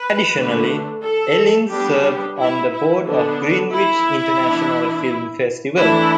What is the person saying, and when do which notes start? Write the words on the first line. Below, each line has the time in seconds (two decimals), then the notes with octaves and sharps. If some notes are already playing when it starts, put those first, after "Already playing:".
Additionally, Ellin serves on the board of the Greenwich International Film Festival.
Already playing: B4
0.35 D3 A3 D4
1.02 A4
1.70 G3 B3 D4 G4
2.39 E4
2.72 E4
3.06 D3 B3 D4
3.74 E4
4.43 E3 B3 D4
5.79 E3 A3 D4 E4